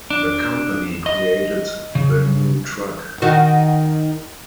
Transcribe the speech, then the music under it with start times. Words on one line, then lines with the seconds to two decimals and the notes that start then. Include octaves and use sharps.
The company created the new truck.
0.10 D4
1.06 D#5
1.95 C#3
3.22 D#3 F#4